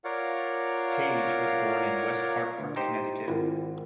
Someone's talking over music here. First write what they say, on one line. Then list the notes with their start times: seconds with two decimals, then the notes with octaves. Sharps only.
Paige was born in West Hartford, Connecticut.
0.05 F4 A#4 C#5 D5 F5 F#5
2.58 D2
2.76 D#4 G4 C5
3.28 G#1 E4 F4 A#4